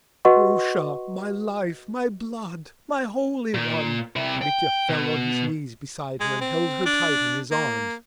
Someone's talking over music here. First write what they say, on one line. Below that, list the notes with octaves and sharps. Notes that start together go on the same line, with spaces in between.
"Grusha, my life, my blood, my holy one!" Mitya fell on his knees beside her and held her tight in his arms.
F#4 B4 D#5 F#5 C6 C#6
A#2
C3 E4
G5
B2
G#3
C4
D4
A#3